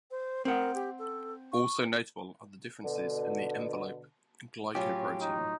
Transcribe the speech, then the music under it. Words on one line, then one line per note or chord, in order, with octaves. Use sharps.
Also notable are the differences in the envelope glycoprotein.
C5
C4 A#4 F#5
G4
A4
C#6
B2 D3
A2 F#3 C#4 F4 G4
D#4